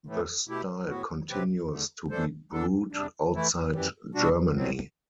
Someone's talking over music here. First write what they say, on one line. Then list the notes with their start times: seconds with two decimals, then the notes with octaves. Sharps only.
The style continues to be brewed outside Germany.
0.07 A2 E3 A3
0.48 B2 A3 E4 G4
0.88 A2 F#3 B3 F#4
1.29 C3 F#3 C4 G4 B4
1.70 E2 D3 A3
2.10 E3 A3 D4 A4 C5
2.52 E3 B3 D4 A4
2.92 E2 C3 G3 D4
3.34 E3 A3 E4
3.74 F#2 E3 G3
4.15 B2 G3 D4 F#4
4.56 E2 B2 F#3 C4